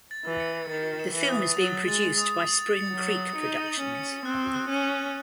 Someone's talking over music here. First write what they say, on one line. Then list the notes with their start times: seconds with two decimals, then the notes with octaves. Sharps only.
The film is being produced by Spring Creek Productions.
0.11 A6
0.25 E3
0.40 C#7
0.70 D#3 A6
0.99 E7
1.14 E3
1.29 D#6
1.58 F#3 A6
1.88 G#3 A6
2.18 D#6
2.47 F#7
2.77 C#7
2.92 F#3
3.07 C#7
3.36 D#4 C#7
3.66 F#7
3.80 C#4
3.95 C#7
4.25 C4 F#6
4.54 F#6
4.70 C#4
4.84 F#7